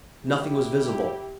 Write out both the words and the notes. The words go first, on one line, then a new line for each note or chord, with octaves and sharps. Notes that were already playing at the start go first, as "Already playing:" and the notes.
Nothing was visible.
F#2 E3 A3 E4 G4
C2 C3 G3